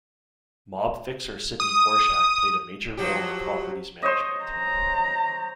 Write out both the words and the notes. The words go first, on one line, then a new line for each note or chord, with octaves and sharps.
Mob fixer Sidney Korshak played a major role in the property's management.
D#6
F3 F#3 G4
C5 C#5 D#5
A#5